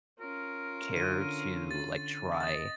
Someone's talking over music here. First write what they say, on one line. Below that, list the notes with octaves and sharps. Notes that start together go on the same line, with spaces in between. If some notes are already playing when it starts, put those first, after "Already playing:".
care to, like, try
C#4 F4 A#4
D3 D#7
A6
D#5 A6